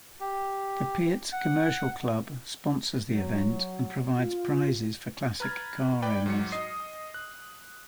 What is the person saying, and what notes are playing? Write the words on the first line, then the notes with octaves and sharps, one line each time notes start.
The Pierz Commercial Club sponsors the event and provides prizes for classic car owners.
G4
F#5
F#3
F4
B4 A#5 F6 G#6 A6
B4 D5 G5 B5
G#2 F#3 C#7
D#5 D#6 C7
F#6